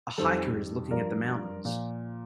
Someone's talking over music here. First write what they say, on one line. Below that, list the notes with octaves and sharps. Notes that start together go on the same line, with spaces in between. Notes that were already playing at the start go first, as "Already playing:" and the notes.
A hiker is looking at the mountains.
F2 D#3 G3 A4 C5
G2 F3 A#4 D5
A#2 F3